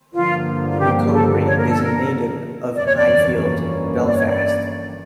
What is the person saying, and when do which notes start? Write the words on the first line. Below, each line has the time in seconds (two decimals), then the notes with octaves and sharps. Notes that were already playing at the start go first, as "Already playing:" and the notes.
McCoubrey is a native of Highfield, Belfast.
0.13 G2 D3 F3 A#3 F4
0.70 F4
0.80 G4
1.02 G4
1.12 A4
1.45 C#5
1.57 A#4
1.70 A4
1.83 A#4
2.75 G1 F2 E3 A#3 C#4 D5
2.86 C#5
2.96 D5
4.06 D5
4.16 C#5
4.26 D5